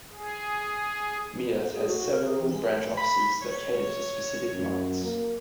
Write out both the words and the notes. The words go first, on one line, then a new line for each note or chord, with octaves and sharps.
Midas has several branch offices that cater to specific markets.
G#4
G#4
F#4
A#4
G#4
E3
G#3
B5
C#5
F#2
A#3